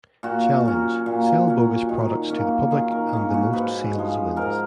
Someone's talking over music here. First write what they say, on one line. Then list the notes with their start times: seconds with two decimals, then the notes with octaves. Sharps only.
Challenge: Sell bogus products to the public and the most sales wins.
0.23 A#2 F#4
0.65 F#3 C#4
1.06 A#2
1.48 F#3 C#4
1.89 D#3
2.30 A#3 C#4
2.71 D#3 G#4
2.91 A#4
3.13 A#3 C#4 G#4
3.34 F#4
3.53 G#2 B4
3.95 F3 G#3
4.37 G#2 A#4